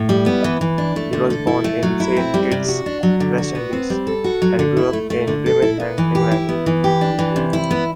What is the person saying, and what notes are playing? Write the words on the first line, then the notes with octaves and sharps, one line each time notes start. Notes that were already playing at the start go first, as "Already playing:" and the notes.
He was born in Saint Kitts, West Indies, and grew up in Birmingham, England.
Already playing: A2
G3
B3
E3
E3
D4
A3
D3
A4
E4
A3
F#3
E4
C4
G3
C3
F#4
D4
F#3
D3
F#4
B3
C4
G3
A4
F#4
F#3
D3
E4
A3
A3
D3
A4
E4
B3
E3
G4
E4
B3
E3
G4
D4
E3
C3
E4
B3